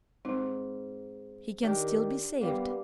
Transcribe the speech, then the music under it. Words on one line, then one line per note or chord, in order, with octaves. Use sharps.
He can still be saved.
G#2 C4
D#3 D4 G4 A#4
G3 A#3 B3